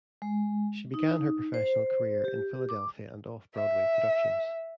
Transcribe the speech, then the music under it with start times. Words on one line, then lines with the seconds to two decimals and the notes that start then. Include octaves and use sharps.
She began her professional career in Philadelphia and off-Broadway productions.
0.22 G#3
0.94 D#4
1.54 C5
2.24 G4
2.69 D6
3.54 E5